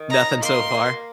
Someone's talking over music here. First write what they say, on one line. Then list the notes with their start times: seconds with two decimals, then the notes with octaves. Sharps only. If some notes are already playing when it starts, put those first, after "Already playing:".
Nothing so far?
Already playing: D#3
0.10 D#4 A#5
0.43 A#3 C6
0.74 A#3